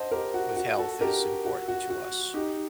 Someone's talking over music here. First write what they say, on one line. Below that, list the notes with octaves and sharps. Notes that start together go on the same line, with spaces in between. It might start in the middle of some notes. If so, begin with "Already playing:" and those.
with health is important to us.
Already playing: C5 D#5 F#5 A5
G4 A#4
F#4
F#4
F#4 A4
G4 A#4
F#4
F#4
F#4
D#4 G4